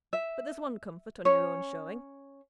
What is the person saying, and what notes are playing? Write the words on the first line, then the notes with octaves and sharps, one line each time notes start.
But there's one comfort, on your own showing.
E5
C#4 C#5